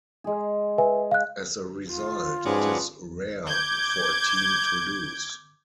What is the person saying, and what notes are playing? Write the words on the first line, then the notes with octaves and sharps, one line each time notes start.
As a result, it is rare for a team to lose.
G#3 G#4
B4 E5 G#5
F5 F#6
F4
G#2 F3 C#4 F#4 G#4 B4 D5
D6 G6 G#6